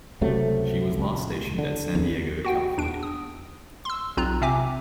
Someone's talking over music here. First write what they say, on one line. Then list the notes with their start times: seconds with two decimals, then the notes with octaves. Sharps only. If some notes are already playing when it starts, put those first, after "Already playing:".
She was last stationed at San Diego, California.
0.21 C#2 C3 F#3 A3
0.98 C#2
1.58 D3
1.95 E2
2.45 F#4 F#5 G5
2.78 E2 D4 D7
3.03 D#6
3.85 C6 E6
4.17 B1 C4 F4 A#5 F#6
4.41 C3 C4 E5 G#5 D6